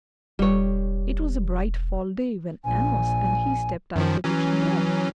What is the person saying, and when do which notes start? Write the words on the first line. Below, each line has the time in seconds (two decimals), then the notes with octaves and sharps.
It was a bright fall day when Amos and he stepped out the kitchen door.
0.39 E1 G3 C#5
2.65 A#1 G#5
3.96 F#2 D#3 F3
4.24 E3 F#3 C#4